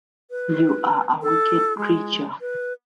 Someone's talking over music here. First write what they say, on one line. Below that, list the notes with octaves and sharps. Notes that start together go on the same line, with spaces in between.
You are a wicked creature!
B4
A4
G#3
B4